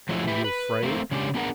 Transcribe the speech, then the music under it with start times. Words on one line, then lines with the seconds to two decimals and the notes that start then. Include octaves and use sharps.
"Were you afraid?"
0.09 F3 F#3 G#3 A3 E4
0.28 G4 B4 E5
0.44 B4
0.83 A3 A#3 C4
1.11 C#3 G#3 D4 G4
1.34 B3 D4 G#4 A#4 F#5